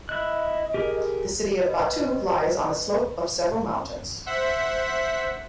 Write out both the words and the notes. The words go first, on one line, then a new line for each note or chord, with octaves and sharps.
The city of Batu lies on a slope of several mountains.
E4 D#5 F#6
G4 G#4 A#4
B4 D#5
C5 E5 F#5 B6